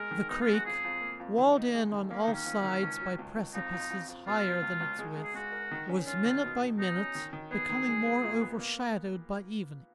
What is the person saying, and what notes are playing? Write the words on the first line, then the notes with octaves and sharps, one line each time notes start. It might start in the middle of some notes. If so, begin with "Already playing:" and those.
The creek, walled in on all sides by precipices higher than its width, was minute by minute becoming more overshadowed by evening.
Already playing: G#3 A#4
D#3
B3 D#4
F4
G#3
F#4
F2 G#4
F2
A#3
F2
D#3
D#4
G#3
D#3
A#3 C#4
D#4
D#3
C#4
F2
D#3
C#2
F#3
C#2
C#2
F2 D#4
F2
F2
F2
B2 F4
F#3
C#2
C#2
G#3
G#3
G#4
G#3 F#4
A#4
D#3
C#4
C#4 F4
D#3
B2
B2
B2 D#4
C#4
D#3
D#3
B3 G#4
D#3
G#3
B3
A#2
B3
A#3